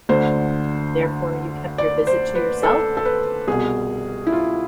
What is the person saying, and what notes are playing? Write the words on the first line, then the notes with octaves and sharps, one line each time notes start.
Therefore you kept your visit to yourself?
D2 D3 C5
D5
C5
B4
A4
A4
B4
C2 B2 G#4
E4
F4